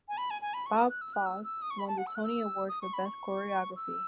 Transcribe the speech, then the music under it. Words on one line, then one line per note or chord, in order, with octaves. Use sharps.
Bob Fosse won the Tony Award for Best Choreography.
G#5
B5
G#5
G#5
B5
C#6
D#6
F#6
E6
F#6
E6
E6
D#6
C#6
B5
A5
F#5
E6
F#6
E6
D#6
C#6
B5
C#6
E6